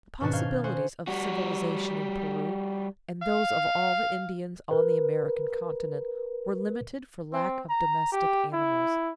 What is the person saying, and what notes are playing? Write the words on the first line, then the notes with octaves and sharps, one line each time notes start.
The possibilities of civilization in Peru, and those of all the Indians on the American continent, were limited for lack of domestic animals.
G#2 B2 D#3 C#4 D4 F#4
F5 F6 G6 G#6
F#4 G#4 C5 F#5
G3 F#4
F5
A#4 B4
C4
A#5
G4
E4